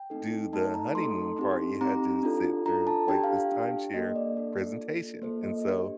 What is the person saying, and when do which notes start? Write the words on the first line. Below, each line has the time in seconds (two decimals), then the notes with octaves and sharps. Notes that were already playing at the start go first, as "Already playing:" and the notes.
do the honeymoon part, you had to sit through, like, this timeshare presentation, and so,
Already playing: G5
0.10 A3 C4 D#4 A4
0.52 A3 D#4 A4 A5
0.74 A#5
0.95 A3 D#4 A4 C6
1.39 C4 D#4 G4
1.81 C4 D#4 G4 A#5
2.23 D4 F4 A4
2.66 D4 F4 A4 A#5
2.87 A5
3.08 D4 G4 G5
3.24 F5
3.37 F5
3.52 D4 G4
3.94 A#3 D4 A4 D#5
4.16 D5
4.37 A#3 D4 A4
4.80 A#3 F4 A4
5.22 A#3 F4 A4 C5
5.44 D#5
5.65 D4 G4